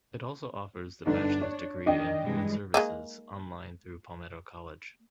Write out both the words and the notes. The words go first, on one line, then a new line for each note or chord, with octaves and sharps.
It also offers the bachelor's degree in human services online through Palmetto College.
G1 D3 D4 D#4
C#5
D#3 D4 D#5 G5
G2 E3 G#3
G#3 A#3 D#4